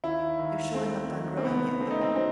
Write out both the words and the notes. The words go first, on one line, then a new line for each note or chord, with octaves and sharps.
You're surely not done growing yet, though!
D#2 E4
D#2
A3 C4
D#3
C4
C2 B3
A3 C4
D#4
C4
F#3 C4